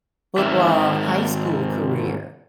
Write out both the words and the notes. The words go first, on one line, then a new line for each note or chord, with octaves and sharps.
football high school career?
G#2 D#3 C4 A#4 E5